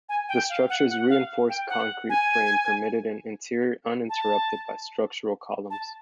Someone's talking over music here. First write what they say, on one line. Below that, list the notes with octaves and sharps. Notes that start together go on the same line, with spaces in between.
The structure's reinforced concrete frame permitted an interior uninterrupted by structural columns.
G#5
G5
F5
F#5
F#5
F5
G5
F#5
G#5
A5
A5